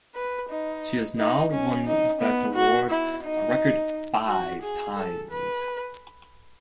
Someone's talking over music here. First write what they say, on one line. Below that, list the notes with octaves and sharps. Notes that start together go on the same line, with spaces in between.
She has now won that award a record five times.
B4
D#4
D#4
C#4
D#4
B3
F#4
E4
D#4
F#4
G#4
A4
B4